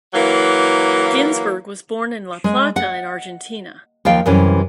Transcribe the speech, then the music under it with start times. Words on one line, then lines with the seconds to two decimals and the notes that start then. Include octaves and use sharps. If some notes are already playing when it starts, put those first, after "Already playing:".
Ginzburg was born in La Plata in Argentina.
0.14 E3 F#3 A#3
2.44 G#3
2.76 F#5
4.05 D#2 F3 F5 G5
4.26 F#2 C3 E3 G3 C#4